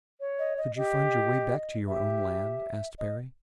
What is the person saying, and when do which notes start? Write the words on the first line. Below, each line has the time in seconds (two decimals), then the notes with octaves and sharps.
"Could you find your way back to your own land?" asked Perry.
0.20 C#5
0.39 D#5
0.58 D#5
0.76 G4 D#5
1.88 G4 E5
2.99 D#5